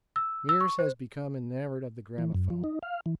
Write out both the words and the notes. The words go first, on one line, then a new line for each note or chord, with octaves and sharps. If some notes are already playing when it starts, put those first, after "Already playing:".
Meares has become enamoured of the gramophone.
E6
E6
C#6
C5
E3
F#2
F3
D#4
F5
E3